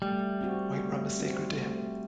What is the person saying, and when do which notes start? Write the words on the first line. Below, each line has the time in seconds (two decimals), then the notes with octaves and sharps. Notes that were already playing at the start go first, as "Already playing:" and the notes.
White rum is sacred to him.
0.02 G3 A3
0.41 C4 F#4
0.80 A3
1.19 C4 F#4
1.58 A3